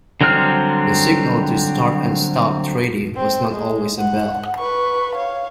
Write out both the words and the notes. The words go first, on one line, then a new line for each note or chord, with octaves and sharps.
The signal to start and stop trading was not always a bell.
D3 F#3 G3 C4 F6
C4
G#3
F#5
B4 C#6
C#5 F5